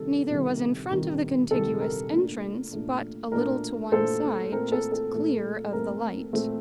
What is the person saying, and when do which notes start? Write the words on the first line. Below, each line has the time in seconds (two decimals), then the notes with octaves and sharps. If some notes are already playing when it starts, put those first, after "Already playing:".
Neither was in front of the contiguous entrance; but a little to one side, just clear of the light.
Already playing: C3 D#3 G3 A4
0.30 C3 D#3 G3
0.91 C3 D#3 G3
1.51 C3 D#3 G3 A4
1.80 A#4
2.11 A#2 A3 D4
2.71 A#2 A3 D4
3.31 A#2 A3 D4 A#4
3.91 A#2 A3 D4 A4 C5
4.52 A#2 A3 C4 A#4
4.72 A4
4.92 A4
5.12 A#2 A3 C4
5.73 A#2 A3 C4 A#4
6.33 A#2 A3 C4